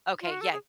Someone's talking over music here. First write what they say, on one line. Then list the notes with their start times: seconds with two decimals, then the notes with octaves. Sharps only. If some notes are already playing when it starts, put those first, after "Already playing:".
Okay, yay.
0.21 F4
0.31 F#4
0.41 A4
0.52 G#4